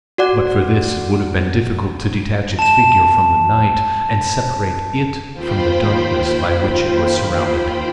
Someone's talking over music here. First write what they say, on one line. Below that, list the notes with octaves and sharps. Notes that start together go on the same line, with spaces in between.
But for this it would have been difficult to detach its figure from the night, and separate it from the darkness by which it was surrounded.
F#4 D5 F#5
A5 E7
D#2 F4 C5 G5 B5